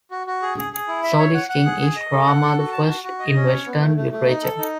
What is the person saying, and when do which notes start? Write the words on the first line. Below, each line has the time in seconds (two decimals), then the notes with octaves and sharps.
So this king is "Rama the First" in Western literature.
0.11 F#4
0.27 F#4
0.42 G#4
0.58 G#4
0.73 G#4
0.88 E4
1.03 E5
1.19 C#5
1.34 F#5
1.49 F#5
1.66 G#4
1.81 G#4
1.96 D#5
2.12 A4
2.27 F#5
2.42 A4
2.58 F#4
2.72 A5
2.88 F#4
3.04 F#4
3.19 D#5
3.35 C#4
3.49 C#5
3.66 B3
3.80 A3
3.96 A3
4.11 A3
4.27 D#4
4.43 A4
4.58 D#4